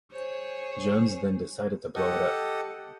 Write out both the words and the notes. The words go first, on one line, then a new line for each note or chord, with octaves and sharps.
Jones then decided to blow it up.
G#4 C5 C#5
G4 A4 D#5 F#5